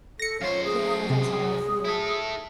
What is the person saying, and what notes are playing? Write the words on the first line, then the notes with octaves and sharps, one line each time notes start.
Yeah, that's how I feel.
A4 A#6 C#7
F#2 F4 C5 C#5
G#4
C3 G#4
E4 A4